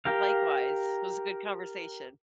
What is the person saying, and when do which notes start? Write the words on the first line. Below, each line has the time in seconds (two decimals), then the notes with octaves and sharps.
Likewise. It was a good conversation.
0.05 G4 A#4 F5